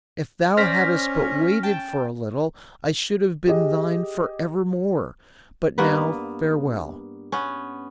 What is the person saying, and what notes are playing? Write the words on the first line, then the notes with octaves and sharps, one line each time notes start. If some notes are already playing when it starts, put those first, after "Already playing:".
If thou hadst but waited for a little, I should have been thine for ever more, but now farewell!
C#4 C5 D5 F6 A#6 B6
G5 A5
G4 G#4 D#5
G2 A#3 B3 B4
B3 C#4